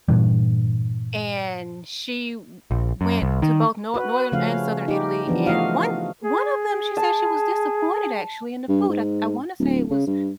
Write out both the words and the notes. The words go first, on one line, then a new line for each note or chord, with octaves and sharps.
And she w went to both Nor Northern and Southern Italy, and one one of them, she said she was disappointed actually in the food I I wanna say it was
G2 A#2 E3 G3
A#1
F#2
C2
D#3
F#4 B4
C#3 F3 A3 C#4 F5
D#4 G4
E3 F3 B3 D4
A3 F4 F#4 D#5 F5
G#4
A5
G2
G#2
D1
C#3
G2